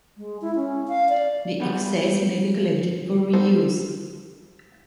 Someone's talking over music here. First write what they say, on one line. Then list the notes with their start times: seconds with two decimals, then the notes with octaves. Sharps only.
The excess may be collected for reuse.
0.17 G#3
0.41 E4
0.55 C#4
0.88 F5
1.09 D5
1.60 G3 G#3 B3 G4 B4 F#5
3.33 G3 B3 D#4 A4 C5